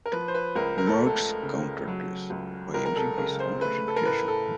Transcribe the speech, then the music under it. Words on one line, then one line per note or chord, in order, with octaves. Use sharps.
Marks countered this by using his own written creations.
A#4
F3 B4
C5
B4
C#2 A#4
A#4
A4
A3
A4
C#3
F#3
C#2
C#2 A#4
A#4
A4
C#3 A#4
C5
A3 B4
A4
A#4
A2 B4
A4